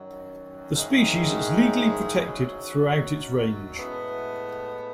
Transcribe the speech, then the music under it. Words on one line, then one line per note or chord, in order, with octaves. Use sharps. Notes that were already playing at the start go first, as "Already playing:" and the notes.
The species is legally protected throughout its range.
Already playing: F#2 D#3 F#3
G#2 D#3 G#3 C#4 E4
F#2 D#3 F#3 C#4
A2 G#3 B3 E4 B4